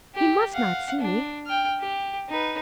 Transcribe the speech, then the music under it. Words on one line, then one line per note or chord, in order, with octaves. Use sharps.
He must not see me.
G4
F5 F#5
D4
G5 F6
G4
D#4 B4